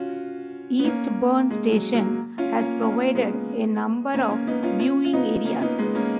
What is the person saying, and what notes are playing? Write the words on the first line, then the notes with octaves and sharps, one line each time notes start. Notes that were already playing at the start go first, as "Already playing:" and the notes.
Eastburn Station has provided a number of viewing areas.
Already playing: C#4 F4 F#4
B3
A#3 C#4
G#3
F#3
F#3 A#3
C#4 F4
A#3 C#4
A#3 C#4
G#3 B3
A#3 C#4
A#3 C#4
B3 D#4
C#4 F4
C#4 F4
F4
B3 D#4
A#3 C#4
B3 D#4
G#3 B3
A#3 C#4